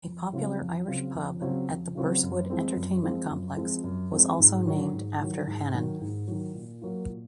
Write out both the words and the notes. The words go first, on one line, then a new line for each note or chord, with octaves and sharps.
A popular Irish pub at the Burswood Entertainment Complex was also named after Hannan.
F2
C#3 F#3 C4 F4
F2
C#3 F#3 C4 F4
F2
C#3 F#3 C4 F4
F2
C#3 F#3 C4 F4
F#2
F3 G#3 C4
F#2
F3 G#3 C4
F#2
F3 G#3 C4
F#2
F3 G#3 C4
G#2
D#3 F#3
G#2
D#3 F#3
G#2
D#3 F#3
G#2
D#3 F#3
A#2
F#3 A#3 F4
A#2